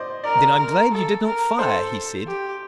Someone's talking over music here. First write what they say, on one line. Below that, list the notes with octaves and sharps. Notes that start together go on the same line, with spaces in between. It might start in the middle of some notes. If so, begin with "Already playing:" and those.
"Then I'm glad you did not fire!" he said.
Already playing: C5 D5 D#5
A#4 D5
A#4
A4
A#4
A4 C5
G4